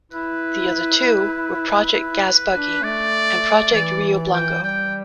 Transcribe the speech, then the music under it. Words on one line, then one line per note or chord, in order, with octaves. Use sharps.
The other two were Project Gasbuggy and Project Rio Blanco.
E4 B4
E4 B4
D4
A3 D5
E3 D5
G5
G3 G5